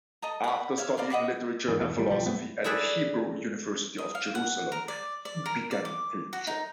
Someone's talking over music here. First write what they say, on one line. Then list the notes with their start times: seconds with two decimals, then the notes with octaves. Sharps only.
After studying literature and philosophy at the Hebrew University of Jerusalem, he began teaching.
0.22 A4 D#5 A#5
0.44 F#5 B5
0.78 C#5 E5 F5
0.97 D5 F5 B5 C6
1.10 D#5 F#5 B5 D6
1.68 G#2 E3
1.81 E2 G#2 B2
1.96 G#1 G3
2.10 B1 F3 G3
2.26 F#2 A3 B3
2.64 E4 G#4 A4 B4 D5 E5
3.98 D#5
4.15 F5
4.35 F#5
4.72 A#4
4.88 D5
5.25 D5
5.46 A#4
5.71 D5
5.85 D6
6.33 F#4
6.47 D#4